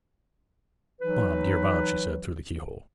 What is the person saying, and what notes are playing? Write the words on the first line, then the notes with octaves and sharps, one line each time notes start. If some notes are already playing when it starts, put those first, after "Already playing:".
'Bob, dear Bob!' she said, through the keyhole.
E3 F#3 D#4 B4